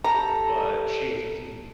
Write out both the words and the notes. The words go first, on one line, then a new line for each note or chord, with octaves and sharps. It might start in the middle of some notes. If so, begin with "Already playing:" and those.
But she has hmm
G4 A4 A#5